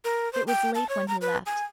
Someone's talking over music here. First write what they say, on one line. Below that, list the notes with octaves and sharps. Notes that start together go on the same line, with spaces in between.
It was late when he left.
A#4
C5
G5
A5
C#5
A#5
B4
G#5